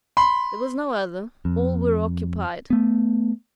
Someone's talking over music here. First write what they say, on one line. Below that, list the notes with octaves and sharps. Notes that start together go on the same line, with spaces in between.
There was no other, all were occupied.
B5 C6
F2
A3 B3